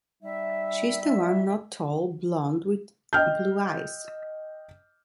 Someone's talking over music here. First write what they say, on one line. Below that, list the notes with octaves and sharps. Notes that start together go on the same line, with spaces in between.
She is the one not tall, blond with blue eyes.
G3 D#4 E5
D#5 G5 F6 G6